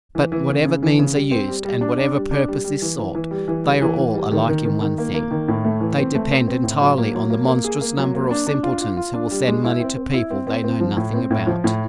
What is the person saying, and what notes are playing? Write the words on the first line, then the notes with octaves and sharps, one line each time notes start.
But whatever means are used, and whatever purpose is sought, they are all alike in one thing--they depend entirely on the monstrous number of simpletons who will send money to people they know nothing about.
E3
E3
C#3
C#3
E3
C#3
G3
C4
G3
G3
D4
D4
G3
D4
G3
G3
E3
E3
E3
G3
E3
G3
E3
E3
G3
D#3
D#3
D#3
D#3
A#3
A#3
D#3
A2
A3
E3
C4
A3
C4
C4
A2
F#3
A#3
F#3
A#3
A#3
G#4
A#3
F#3
A#3
D4
D4
F4
F4
F4
D4
G3
G#3
E4
C4
C4
E4
C4
C4
C4
F3
A2
C4
A2
F3
A2